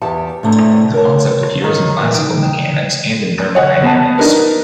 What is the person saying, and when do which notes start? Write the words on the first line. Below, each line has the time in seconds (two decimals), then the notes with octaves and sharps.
The concept appears in classical mechanics and in thermodynamics.
0.02 E2 G4 E5 F#5 A5
0.43 A2 C3 A3 D4
0.94 A#4 C#5 A5
1.61 D#3 F#3
1.97 A#2 E3
2.14 D#4 G5
3.55 C#5 D#5 F#5
3.82 B3 A5
4.18 D4 D#4 A#4 B4